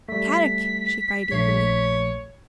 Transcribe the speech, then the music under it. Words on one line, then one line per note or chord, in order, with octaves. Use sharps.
"Kadok!" she cried eagerly.
G3 A3 B6
A#1 A3 C#5 C7